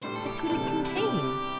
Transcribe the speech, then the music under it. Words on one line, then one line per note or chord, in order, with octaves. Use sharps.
What could it contain?
A2 G3 D4 C5
A4
G4
A4
E2 C3 G3 D4
E4
C3 G3 D4 G4